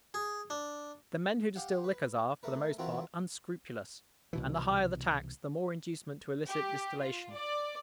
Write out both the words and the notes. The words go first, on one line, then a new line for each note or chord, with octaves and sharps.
The men who distil liquors are, for the most part, unscrupulous; and the higher the tax, the more inducement to illicit distillation.
G#4
D4
G4 F5 F#5
B4
A3 A#4 B4
E3 C4 F4 F#4 A#4 B4
C2 B2 E3
G4
F4
D5